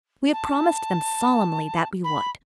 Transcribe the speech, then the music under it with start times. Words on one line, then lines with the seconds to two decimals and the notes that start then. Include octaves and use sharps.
We have promised them solemnly that we would.
0.33 A5
2.04 B5